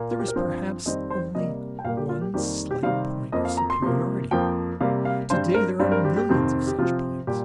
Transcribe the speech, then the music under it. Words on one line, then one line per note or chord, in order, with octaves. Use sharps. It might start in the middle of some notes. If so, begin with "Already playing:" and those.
There was perhaps only one slight point of superiority; today there are millions of such points.
Already playing: A#2 A#3
F4
G4
A#4
G2 F3 C4 C5
F2 D#3 G3 C4 D#5
C5
C3 G3 A#3 D#5
G5
A#2 G3 A#3 F5
G4
F4
G4
F2 D#3 G3 A#3 G4
G4
C3 D#3 G3 C4 F5
F2 F3 A#3 D#5
F5
A#5
C6
C3 F3 A#3
F2 F3 A#3 G5
C3 G3 A#3 F5
F5
G2 G3 C4 C5
A#4
G2 G3 C4
A#4
G4
G4
F2 C3 D#3 C4
G4
C3 F3 C4 F4
A#2 G3 G4